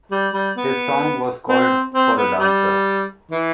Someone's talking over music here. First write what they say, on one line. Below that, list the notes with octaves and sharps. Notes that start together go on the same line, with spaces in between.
His song was called "For a Dancer".
G3
G3
B3
C4
C4
B3
G3
E3